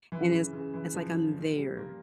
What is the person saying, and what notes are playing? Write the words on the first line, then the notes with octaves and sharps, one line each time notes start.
and it's it's like I'm there
E3
C#3
E3
C#3
E3
F3
A#2
G3
A#3